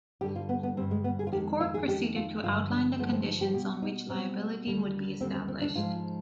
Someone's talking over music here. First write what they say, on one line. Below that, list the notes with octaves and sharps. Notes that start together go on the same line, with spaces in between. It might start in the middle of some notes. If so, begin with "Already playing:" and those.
The court proceeded to outline the conditions on which liability would be established.
G2 D3 G3 G4
F4
B3
B3
G2 D3 G3 C4
G#3
B3
G#4
F4
F2 D#3 G#3 G4
F4
G#4
F2 D#3 G#3 G4
F4
G2 D3 F3 G#3 F4
D4
G2 D3 F3 G#3 B3
C4
D#4
G4
B2 G3 G4
D#4
B2 G3 C4
D#2 D3 G3
D#2 D3 G3 C4
C4
C4
D4
G#2 F3 G#3 F4